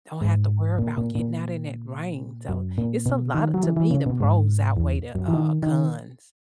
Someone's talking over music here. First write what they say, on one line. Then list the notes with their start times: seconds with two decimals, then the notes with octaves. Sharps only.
Don't have to worry 'bout getting out in that rain, so, it's a lotta to me, the pros outweigh the, uh, cons.
0.21 G#2
0.79 A#2
0.98 A#2
1.15 A#2
2.49 F#2
2.78 A#2
3.06 B2
3.34 D#3
3.54 F#3
3.63 E3
3.77 E3
3.91 C#3
4.06 B2
4.20 G#2
4.77 E2
5.15 F#2
5.28 E3
5.33 D#3
5.63 D#3